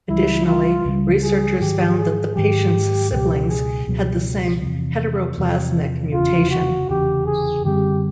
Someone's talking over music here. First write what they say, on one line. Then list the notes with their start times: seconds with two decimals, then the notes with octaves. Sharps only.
Additionally, researchers found that the patient's siblings had the same heteroplasmic mutation.
0.09 C#2 C#3 E3 G3 E4
0.46 F4
0.84 C#2 C#3 E3 G3
1.23 G#4
1.60 G#2 D#3 F#3 G4
1.98 G#4
2.36 G#2 D#3 F#3 G4
3.11 C#2 B2 F#3 G4
3.49 G#4
3.87 C#2 B2 F#3
4.62 E2 C3 F3
5.38 E2 C3 F3
6.13 F1 E2 C#3 F4
6.51 F#4
6.88 F1 E2 C#3 G4
7.26 G#4
7.65 F#2 D3 G3 C4 G4